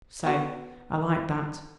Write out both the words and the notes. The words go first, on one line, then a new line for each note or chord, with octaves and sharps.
Say, I like that!
B3 F#4